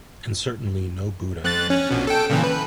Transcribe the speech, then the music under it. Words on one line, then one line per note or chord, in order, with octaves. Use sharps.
And certainly no Buddha.
F2 F#6 A6
C#4
A#1 B2
A4 G5
A#2 C#3 E3
B4